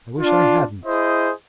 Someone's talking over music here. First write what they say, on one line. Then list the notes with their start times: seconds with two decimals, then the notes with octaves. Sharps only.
I wish I hadn't.
0.19 D4 F4
0.86 E4 G#4 C5 D#5